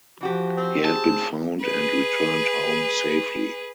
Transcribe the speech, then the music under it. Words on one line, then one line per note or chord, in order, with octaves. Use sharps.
He had been found and returned home safely.
E3 F3 F#4 G4
C4
C4 G#4 A5
G#4 B4